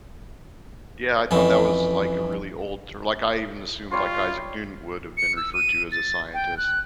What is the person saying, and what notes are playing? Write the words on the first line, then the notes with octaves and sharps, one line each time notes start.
Yeah, I thought that was, like, a really old ter like, I even assumed, like, Isaac Newton would have been referred to as a scientist.
F2 E3 C#4
G3 F4 C#5 C6
C#7
E6
D#7
A6
G5
F#6